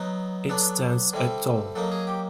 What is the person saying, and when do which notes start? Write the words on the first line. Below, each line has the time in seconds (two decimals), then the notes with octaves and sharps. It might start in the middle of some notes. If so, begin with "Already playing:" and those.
It stands at tall.
Already playing: F#3 B3 D#4
0.49 F#3 B3 D4 A4
1.13 D3 G3 C4 E4
1.75 F#3 A#3 D#4 A4
1.92 G#4
2.07 G4